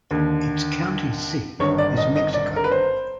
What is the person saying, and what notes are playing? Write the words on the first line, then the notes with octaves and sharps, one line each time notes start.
Its county seat is Mexico.
D#2 D3
G#1 G2 D3 C#5
D5
D#5
D#5
D5
A#4
B4
C5